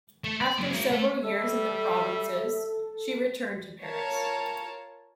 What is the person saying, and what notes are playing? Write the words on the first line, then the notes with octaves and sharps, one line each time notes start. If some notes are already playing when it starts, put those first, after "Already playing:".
After several years in the provinces she returned to Paris.
A3
D5
F#3 A#3
G#3 A#4
A3
G3 A4 E5 E6
F4 A#4 C#5 A5